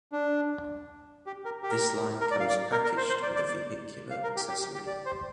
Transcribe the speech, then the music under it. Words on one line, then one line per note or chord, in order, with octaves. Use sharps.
This line comes packaged with a vehicular accessory.
D4
G4
A#4
G4
A#4
A#4
D5
F5
D5
A#4
A#4
C5
C5
D5
D5
D5
F5
A#4
G4
G4
G4
G4
D5
C5